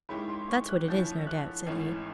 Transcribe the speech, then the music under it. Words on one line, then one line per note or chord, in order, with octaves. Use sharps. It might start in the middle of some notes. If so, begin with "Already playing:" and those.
"That's what it is, no doubt," said he.
D#3 G#3 C#4 E4 G4 B5
C6
C#6
F#6
D3 F3 A3 C#4 E4 G6
F#6
G#1 G#2 E3 A3 C#4